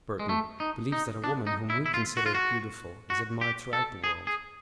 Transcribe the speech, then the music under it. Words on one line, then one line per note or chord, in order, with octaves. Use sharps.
Burton, believes that a woman whom we consider beautiful is admired throughout the world.
G#3
A3
D#4
D#4
D4
D#4
E4
E4
F4
F#4
F4
F#4
F#4
G4
A4
G#4
G#4